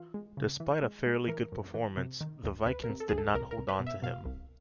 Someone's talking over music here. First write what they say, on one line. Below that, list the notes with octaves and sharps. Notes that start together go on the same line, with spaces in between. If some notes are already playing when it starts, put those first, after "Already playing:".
Despite a fairly good performance, the Vikings did not hold on to him.
Already playing: E3 F4
G#3
C#3
E3
G#3
G#3
E3 A#4
F#2
E3
C3
D#3
D2
D2 B4
A#4
C3
A4
D2 G#4
A4
C2 A#4
A#4
C2
B4
B2
E5
B2 F5
C2